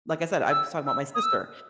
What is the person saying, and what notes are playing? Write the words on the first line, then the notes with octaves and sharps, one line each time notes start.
like I said, I was talking about my sister.
E6
E6
D#6
E6